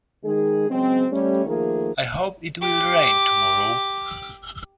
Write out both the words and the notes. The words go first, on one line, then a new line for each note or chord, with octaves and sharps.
I hope it will rain tomorrow.
D#3 G#3 G#4
C#3 F#3 G#3 C4
G3 A3 C#4
D#3 F3 A3 A#3 G#4 A#4
G4 D6